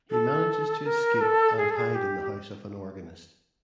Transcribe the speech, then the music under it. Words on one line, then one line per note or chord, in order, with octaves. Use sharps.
He manages to escape and hide in the house of an organist.
A4
A#4
A4
G#4
A4
G#4
G4